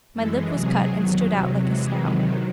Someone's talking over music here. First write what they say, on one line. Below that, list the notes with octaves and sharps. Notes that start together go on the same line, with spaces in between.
My lip was cut and stood out like a snout.
F#2 E3 G#3 A4
C3 F#3 G#4
E2 D#3 F#3
C3 F#3
C3 E3 G#3 F#4
C3 D#3 F#3 E4